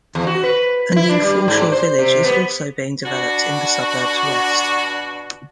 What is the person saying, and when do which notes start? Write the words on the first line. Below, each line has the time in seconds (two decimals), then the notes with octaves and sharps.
A new foreshore village is also being developed in the suburb's west.
0.15 E2
0.27 F#4
0.44 B4
0.96 E4
1.09 D4
1.22 G3
1.48 G#2
1.72 C5
1.99 C3
2.24 B3
3.05 B2 D4 F#4